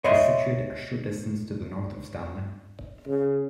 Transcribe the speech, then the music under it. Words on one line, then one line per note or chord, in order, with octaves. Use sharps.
It is situated a short distance to the north of Stanley.
C#5 D#5 E5 C6
C#3